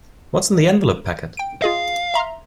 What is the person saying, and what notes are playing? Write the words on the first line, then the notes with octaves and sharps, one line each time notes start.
What's in the envelope packet?
G5 D7
F4 G#4 D#5 F5
E5 A#5 C6